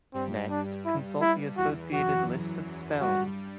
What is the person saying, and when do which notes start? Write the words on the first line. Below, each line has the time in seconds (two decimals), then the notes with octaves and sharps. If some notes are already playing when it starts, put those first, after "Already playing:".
Next, consult the associated list of spells.
0.14 G2 G3 C4
0.50 D4
0.85 E4
1.22 E4
1.57 E2 E3 F#4
1.93 F#2 F#3 F#4
3.00 G2 G3 F#4